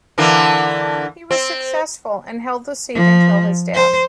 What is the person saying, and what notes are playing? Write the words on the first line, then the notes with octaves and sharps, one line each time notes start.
He was successful, and held the seat until his death.
D3 E3 A#3
C4
F3
C5